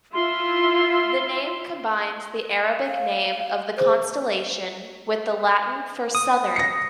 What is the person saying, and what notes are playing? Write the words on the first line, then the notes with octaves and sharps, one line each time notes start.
The name combines the Arabic name of the constellation with the Latin for "southern".
E4 F4 E5 C6
F5
G#4 C5
D#6
A#6 C#7